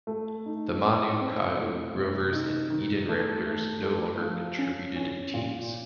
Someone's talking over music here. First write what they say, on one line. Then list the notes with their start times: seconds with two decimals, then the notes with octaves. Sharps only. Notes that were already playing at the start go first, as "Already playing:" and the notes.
The Manukau Rovers and Eden Ramblers no longer contributed teams.
0.07 A3
0.46 D#4
0.83 C4
1.21 C4
1.58 A3
1.96 C3
2.33 D#4
2.70 D#3
3.09 A3
3.46 A3
3.83 A3
4.21 F3
4.58 C#4
4.96 C#4
5.34 A#2